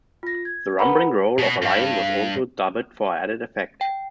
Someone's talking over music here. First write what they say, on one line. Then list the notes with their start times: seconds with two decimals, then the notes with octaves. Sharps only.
The rumbling growl of a lion was also dubbed for added effect.
0.23 F4 A#6
0.45 G#6
0.79 A#4 B4 F#5 A#5 B5
1.39 B2
1.62 G2
3.81 G5